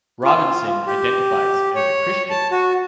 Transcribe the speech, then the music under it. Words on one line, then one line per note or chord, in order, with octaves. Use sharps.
Robinson identifies as a Christian.
F4
G4
C#5
A5
F#4